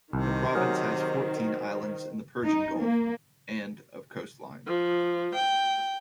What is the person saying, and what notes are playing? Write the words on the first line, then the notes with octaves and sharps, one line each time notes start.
The province has fourteen islands in the Persian Gulf and of coastline.
C2 C3 D#3
F#3 G#4 A#4 C5
D#4
A#3
F3
G5